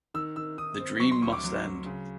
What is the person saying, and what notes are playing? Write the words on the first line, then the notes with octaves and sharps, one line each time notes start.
The dream must end.
D#3 E6
D#3 E6
D#3 D#6
C4
F#3 C#6
C6
D2 C#6
D6
F#3
F#3
C#3